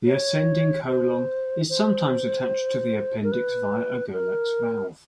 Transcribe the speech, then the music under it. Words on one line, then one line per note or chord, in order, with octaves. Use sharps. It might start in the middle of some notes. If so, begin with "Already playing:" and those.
The ascending colon is sometimes attached to the appendix via Gerlach's valve.
C#5
C5
C5
A#4
B4
A#4